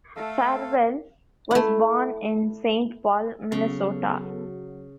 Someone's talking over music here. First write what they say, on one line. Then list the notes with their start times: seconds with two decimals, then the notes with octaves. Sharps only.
Farwell was born in Saint Paul, Minnesota.
0.16 A3 A4 F5
1.51 A3 E4
3.52 C#3 F#3 B3 A4